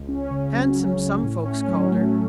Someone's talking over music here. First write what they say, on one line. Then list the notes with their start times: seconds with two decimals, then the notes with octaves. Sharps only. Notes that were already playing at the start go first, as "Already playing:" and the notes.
Handsome, some folks called her.
Already playing: C#2
0.08 C#4
0.31 C#3
0.54 F#3
0.77 C#2
1.00 C#4
1.23 A2
1.45 C#4
1.68 F#3
1.91 A3